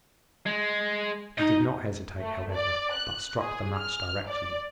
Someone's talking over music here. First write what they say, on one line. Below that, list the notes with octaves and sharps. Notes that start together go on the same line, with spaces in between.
He did not hesitate, however, but struck the match directly.
G#3
D#4 D#5
A3
D5
F#6
G#4
F6
D5